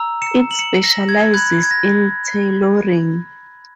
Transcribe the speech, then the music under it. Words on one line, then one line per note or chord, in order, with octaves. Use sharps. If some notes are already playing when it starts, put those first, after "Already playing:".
It specialises in tailoring.
Already playing: A#5 E6
C#7 E7
F#7
C#7 E7
A#6
G#6
B5 F#6 G#6
G#6
A#6